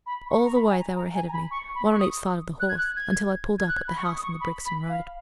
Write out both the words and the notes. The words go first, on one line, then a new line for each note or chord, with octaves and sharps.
All the way they were ahead of me, one on each side of the horse until I pulled up at the house in the Brixton Road.
B5
B5
C#6
A#5
B5
G#5
A#5
A#5
G#5
A#5
B5
C#6
B5
C#6
D#6
F#6
G#6
F#6
G#6
G#6
F#6
B5
C#6
D#6
D#6
C#6
B5
B5
F5